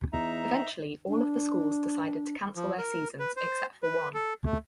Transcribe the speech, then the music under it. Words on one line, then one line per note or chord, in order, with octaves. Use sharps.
Eventually all of the schools decided to cancel their seasons except for one.
E2 D#4 E5 A#5
D4
F3
A#4
B4
C5
B4
A4
A3